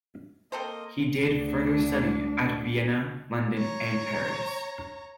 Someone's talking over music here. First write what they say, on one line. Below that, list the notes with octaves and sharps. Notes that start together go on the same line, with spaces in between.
He did further study at Vienna, London and Paris.
A#3 C4 A4 C5 D#5
D2 D4
C#5 A#5